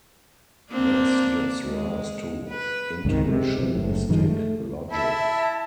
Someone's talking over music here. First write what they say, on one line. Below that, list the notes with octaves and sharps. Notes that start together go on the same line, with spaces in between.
This gives rise to intuitionistic logic.
A#3 C4 D4
G#3
B4
C#2 G2 C3 D#3
C3 G#3
C3 E3
F#1 A2
F#2 D#3 F3 G#3
A3
E4 E5 A5